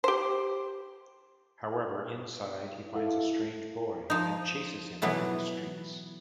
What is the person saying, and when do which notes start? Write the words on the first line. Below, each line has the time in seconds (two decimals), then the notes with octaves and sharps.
However, inside he finds a strange boy, and chases him through the streets.
0.04 G4 C5
2.93 E4 A4 F5
4.10 F3 D#4
5.02 B2 E3 F#3 B3